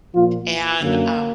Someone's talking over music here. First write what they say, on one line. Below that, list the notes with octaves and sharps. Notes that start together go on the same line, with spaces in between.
and, um,
A#2 F3 F4
F#2 D3 F#3 A#3